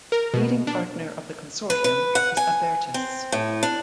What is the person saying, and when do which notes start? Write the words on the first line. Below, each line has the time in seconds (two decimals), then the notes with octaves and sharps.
Leading partner of the consortium is Abertis.
0.12 A#4
0.34 B2
0.67 D4
1.70 B4
1.84 B4
2.15 F#5
2.37 G#5
2.94 C4
3.32 A2
3.63 D4